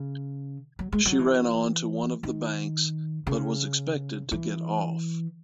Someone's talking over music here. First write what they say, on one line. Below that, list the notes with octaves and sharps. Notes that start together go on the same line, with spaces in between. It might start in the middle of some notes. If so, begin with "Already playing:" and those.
She ran on to one of the banks but was expected to get off.
Already playing: C#3
F#3
G#3
F#3
E3
D#3
C#3
E3